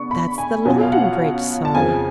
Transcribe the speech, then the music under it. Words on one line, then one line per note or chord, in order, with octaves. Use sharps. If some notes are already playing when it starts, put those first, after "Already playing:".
That's the London Bridge song.
Already playing: C#3 B3 D4 C#6
B5
G#5
B2 F#3 C#4 F4 G#5
F5
F#5
A5
F2 C#3 F3 G#5